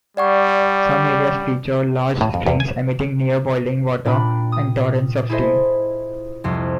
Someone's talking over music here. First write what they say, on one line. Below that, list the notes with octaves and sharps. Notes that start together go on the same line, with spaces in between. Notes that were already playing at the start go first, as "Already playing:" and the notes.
Some areas feature large springs emitting near-boiling water and torrents of steam.
G3 D5 F#5 C#6
A2
F2
E2
G#5
A#2 D4 G5 B5
D#6
E4 G#4 A4 C5 D#5 E5
C2 F2